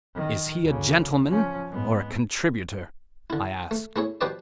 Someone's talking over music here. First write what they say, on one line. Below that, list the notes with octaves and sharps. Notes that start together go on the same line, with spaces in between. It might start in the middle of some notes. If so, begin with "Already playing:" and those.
"Is he a gentleman or a contributor?" I asked.
D#3
D2 C#3
F3 C#4
G#2 B3
D3 E4
A3
A3 E4 G#4 C#5
F3 F#4 G4 B4 D5 D#5